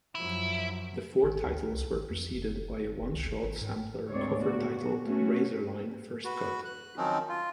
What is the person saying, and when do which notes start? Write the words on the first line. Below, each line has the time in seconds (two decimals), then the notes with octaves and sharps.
The four titles were preceded by a one-shot sampler cover-titled: "Razorline: First Cut".
0.15 F#2 F3 E4
1.23 G#1
1.45 D2
1.72 C2
1.91 G#1
2.10 F2
2.34 F#1
2.71 G1
3.01 F#1
3.15 C2
3.27 G1
3.43 G#1
3.61 G#2
4.08 D2 G#2 C4 C#5 D5
4.42 A#2 B3 F#4
5.05 A3 C#4 F#4
6.25 F#4 B4
6.65 F#6
6.97 D#3 F3 F#3 C4 C#4 D#4
7.29 F4